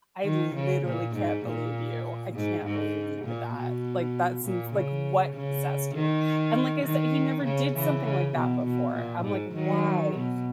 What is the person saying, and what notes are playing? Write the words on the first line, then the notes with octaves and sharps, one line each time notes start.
"I literally can't believe you, I can't believe you did that, like, that seems like what possessed you?" And like I said, he never did something like that before, I'm like, "Why?"
D#3
C#3
A#2
G#2
A#2
G#2
G#2
A#2
B2
A#2
C#3
C#3
D#3
D#3
C#3
C#3 E3
C#3
B2
B2
A#2
G#2
D#3 F#3
B2